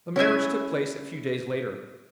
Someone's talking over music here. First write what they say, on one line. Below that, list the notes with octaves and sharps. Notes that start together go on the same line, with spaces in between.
The marriage took place a few days later.
C#4 E4 E5 G#5